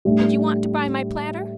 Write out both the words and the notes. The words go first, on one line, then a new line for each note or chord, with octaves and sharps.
And you want to buy my platter.
A2 G3 D4